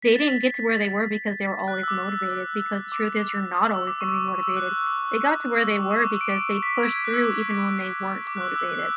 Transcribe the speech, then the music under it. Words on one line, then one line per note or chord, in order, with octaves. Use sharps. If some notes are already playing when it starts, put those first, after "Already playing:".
they didn't get to where they were because they were always motivated, because the truth is you're not always gonna be motivated. They got to where they were because they pushed through even when they weren't motivated.
B6
A6
B6
A6
F#6
E6
D6
D6
D6
E6
D6
C#6
C#6
E6
F#6
E6
D6
C#6
D6
E6
D7
B6
G#6
F#6
E6
D6
E6
D6
F#6
E6
E6
F#6